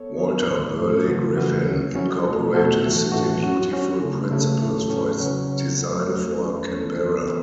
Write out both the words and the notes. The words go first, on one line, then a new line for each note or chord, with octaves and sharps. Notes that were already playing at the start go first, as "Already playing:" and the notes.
Walter Burley Griffin incorporated City Beautiful principles for his design for Canberra.
Already playing: B3 A4 C#5
B3 A4 C#5
A2 A3 E4
A2 A3 E4
C#3 E3 A3 F#4 B4
C#3 E3 A3 F#4 B4
F#3 C#4 E4
F#3 C#4 E4
B2 A3 F#4 A4
B2 A3 F#4 A4
A2 E3 A3 F#4
A2 E3 A3 F#4
F#3 C#4 F#4
F#3 C#4 F#4
C#3 A3 E4
C#3 A3 E4
A2 F#3 A3 C#4 A4
A2 F#3 A3 C#4 A4
C#3 F#3 C#4
C#3 F#3 C#4
F#3 A3 F#4
F#3 A3 F#4
A3 C#4 A4
A3 C#4 A4
E3 B3 A4
E3